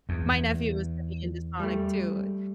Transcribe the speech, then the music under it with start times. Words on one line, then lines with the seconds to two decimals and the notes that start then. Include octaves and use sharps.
My nephew is heavy into Sonic too.
0.09 E2
1.60 G3 A3